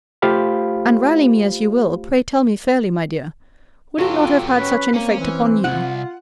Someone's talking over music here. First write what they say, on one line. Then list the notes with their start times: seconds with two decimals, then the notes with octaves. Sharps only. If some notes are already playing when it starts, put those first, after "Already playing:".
And, rally me as you will, pray tell me fairly, my dear, would it not have had such an effect upon you?
0.22 A3 F4 G4 C5 F5 B5
3.98 F#3 B3 F4 G4 A4
4.54 C#4 B4
4.94 A#3 C4 C#4
5.19 E3
5.64 C2 F4 F#5